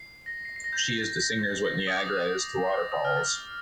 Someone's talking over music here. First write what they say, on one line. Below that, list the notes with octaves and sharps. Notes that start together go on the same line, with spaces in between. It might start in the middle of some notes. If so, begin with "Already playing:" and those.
She is to singers what Niagara is to waterfalls.
Already playing: C7
A#6
C7
C7
A#6
G6
A6
A#6
A#6
A#6
G6
A6
A#6
A6
D#6
D6
D#6
D#6
F6
A6